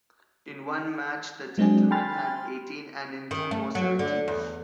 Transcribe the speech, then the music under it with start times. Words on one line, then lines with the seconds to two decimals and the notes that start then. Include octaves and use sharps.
In one match the Gentlemen had eighteen and in two more seventeen.
1.58 F#3 G#3 C4 D4 G#4
1.91 G5 G#5 B5 C6 F6 A6
3.31 D#3
3.51 A3
3.75 F#3
3.99 D3
4.28 E2